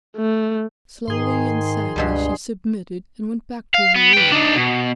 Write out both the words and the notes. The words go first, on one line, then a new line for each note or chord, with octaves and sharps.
Slowly and sadly she submitted, and went back to her room.
A3
G#2 D#3 G#4 C6
C#2 G2 B2 G3
F5
B3
B4 G5
D4 D#4
B2